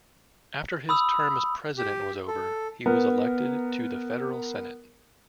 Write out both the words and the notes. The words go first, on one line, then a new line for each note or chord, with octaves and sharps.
After his term as President was over, he was elected to the federal senate.
B5 D#6 E6
G4
A4
B3 A#4